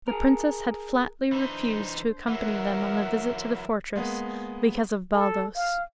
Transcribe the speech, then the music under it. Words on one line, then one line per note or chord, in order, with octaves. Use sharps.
The princess had flatly refused to accompany them on the visit to the fortress because of Baldos.
G#4 A#4
E3 D4 D#4 C5
E3 F#3 A#4 E5 F#5
G#3 A#3 B3
A4
F5